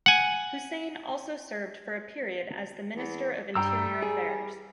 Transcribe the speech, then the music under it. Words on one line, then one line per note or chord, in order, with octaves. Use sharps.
Hussein also served for a period as the Minister of Interior Affairs.
F#5 G#5
E2
G2 G3 G5 A#5 E6
G#4